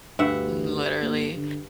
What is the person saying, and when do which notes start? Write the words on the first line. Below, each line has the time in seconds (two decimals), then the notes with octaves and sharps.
Mm, literally.
0.19 D2 G2 E5 F#5
1.02 A#3
1.37 D3